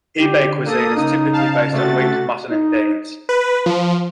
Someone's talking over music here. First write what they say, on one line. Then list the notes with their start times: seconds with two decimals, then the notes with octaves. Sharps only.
Hebei cuisine is typically based on wheat, mutton and beans.
0.18 D3 G4
0.66 A#3 A4 D#6
0.96 C#3 D#4
1.33 F5 A5
1.73 C3 A3 F#4 A6
2.50 D#4
3.29 B4
3.66 F3